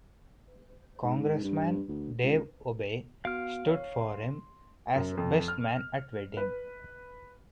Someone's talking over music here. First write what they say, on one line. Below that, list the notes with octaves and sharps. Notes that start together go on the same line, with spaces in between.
Congressman Dave Obey stood for him as best man at the wedding.
G#2
G2
D2
C#2
B3 F#4 F5 F6 D7
C#5
C6
F#2
F2
F6
B4